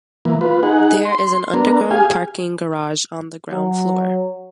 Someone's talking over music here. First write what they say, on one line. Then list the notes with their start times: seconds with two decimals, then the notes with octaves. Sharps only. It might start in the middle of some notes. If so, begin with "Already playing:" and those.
There is an underground parking garage on the ground floor.
0.25 E3 A#3
0.41 F4 B4
0.63 D#4 G#4 F#5
1.05 C6
1.53 B3 D4 A#4
1.91 G4 G#4 F5 G#5
3.52 F#3